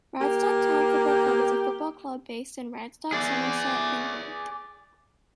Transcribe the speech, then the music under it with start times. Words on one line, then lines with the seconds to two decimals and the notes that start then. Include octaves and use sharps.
Radstock Town Football Club is a football club based in Radstock, Somerset, England.
0.22 A#3 G4
3.12 G#4 D5